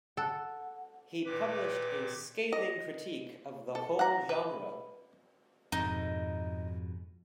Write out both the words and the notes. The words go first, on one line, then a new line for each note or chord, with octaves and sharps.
He published a scathing critique of the whole genre.
A4 F#5
A#2 D#3 B4 D6
D#5
A4
F#5 A#5
B4
F2 G#2 B2 D#4